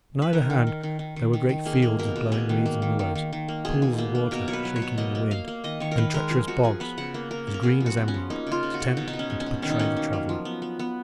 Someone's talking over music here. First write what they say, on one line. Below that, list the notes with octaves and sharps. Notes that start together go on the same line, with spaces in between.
On either hand there were great fields of blowing reeds and willows, pools of water shaking in the wind, and treacherous bogs, as green as emerald, to tempt and to betray the traveller.
B4
D#3 A#4
D#3
D#3
D#3
D#3
D#3
D#3
D#3
A#3 G#4
A#3
B2 A#4
B2
A#3 G#4
D#3
A#3
D#3
D#3
D#3
D#3
A#3
B2 G#4
B2
A#3
A#3
B2 A#4
F#3 C#5
B4
F#3
C#5
B2
A#3 D#5
A#3
A#3 F5
A#3
D#3 D#5
D#3 C#5
A#4
D#3 B4
G#3 A#4
F3 G#4
F3 F#4
F3 G#4
B3 B4
C#3 F#5
A#3
A#3 A#4
C#3
A#4
B3 G#4
F3
F#4
B3
C#4
F3
A#3 D#4
C#3
F4
C#3
F#4
C#3
B2 D#4
D#4
B2
C#4
G#3
C#4
B2
D#3 C#4
D#4
A#3 C#4
D#3
F#3
F3
B3
B3
B3